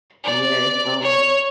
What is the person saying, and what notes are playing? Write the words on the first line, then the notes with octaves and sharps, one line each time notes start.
Yes, call me
D5
C#5